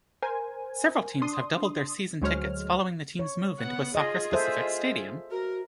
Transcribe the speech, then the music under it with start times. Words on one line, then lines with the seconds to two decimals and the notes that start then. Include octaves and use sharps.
Several teams have doubled their season-tickets following the team's move into a soccer-specific stadium.
0.22 A#4 C5 G#5
1.22 D4 C6 D#6
2.22 D2 F#3 G#3 C5 C#5 F6
3.19 C#5
3.59 B3 F#5
3.95 F4 G#4 D#5
4.32 A4 C5 D#5 E5
5.31 F#4 A#4